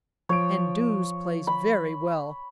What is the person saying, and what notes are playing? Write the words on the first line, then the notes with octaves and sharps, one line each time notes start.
And Doos plays very well.
F3 C#5 D7
B5